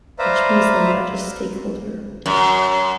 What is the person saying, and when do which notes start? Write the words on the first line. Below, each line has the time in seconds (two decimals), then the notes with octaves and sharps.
Richemont is the largest shareholder in the enlarged Group.
0.19 B4 C5 D5 E5 F5 A#5
2.26 F#2